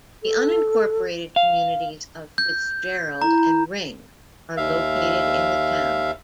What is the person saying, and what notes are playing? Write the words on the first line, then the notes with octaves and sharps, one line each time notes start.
The unincorporated communities of Fitzgerald and Ring are located in the town.
A4
F5
G6
E4 A#5
D#2 E5 F5